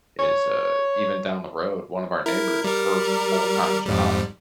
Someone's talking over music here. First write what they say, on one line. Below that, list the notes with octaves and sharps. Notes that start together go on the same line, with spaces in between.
is, uh, even down the road, one of our neighbors, her full-time job
C#5
E4 A#4
G3 A#4
F2 G#2 G3